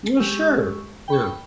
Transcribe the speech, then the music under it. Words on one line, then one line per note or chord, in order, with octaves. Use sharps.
Well, sure. Yeah,
G#3 G4 C#6 E6
G5 B5 C#6